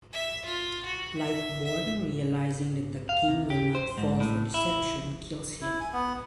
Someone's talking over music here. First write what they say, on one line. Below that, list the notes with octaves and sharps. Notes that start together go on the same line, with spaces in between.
Lightborn, realizing that the king will not fall for deception, kills him.
E5
F4
F#4
E5
E5
F5
C3
G4
C5
G#2
A2
E4
E4
G#5
B3